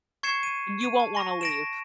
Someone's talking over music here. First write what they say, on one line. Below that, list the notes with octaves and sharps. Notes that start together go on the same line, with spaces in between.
you won't wanna leave.
C#6 G#6 C7 C#7 E7
D#7
D#7
A5
C#6 A#6
A#6 D7 E7